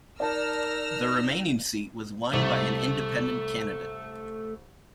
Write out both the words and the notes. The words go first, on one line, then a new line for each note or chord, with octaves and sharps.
The remaining seat was won by an independent candidate.
D#4 A#4 D5 A5 E6 F6 A#6
C2 A3